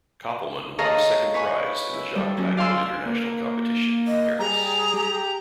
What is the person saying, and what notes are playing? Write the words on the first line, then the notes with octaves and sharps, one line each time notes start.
Kopelman won second prize in the Jacques Thibaud International Competition in Paris.
G#4 A4 C#5 D#5 F5 A#5
B4 C#5 G#5 B5 C#6
E4
G3 A4
F#3 C#4
D5 F5 G#5 C6 E6
A#3
D#5
G3 G#4 A#5
G4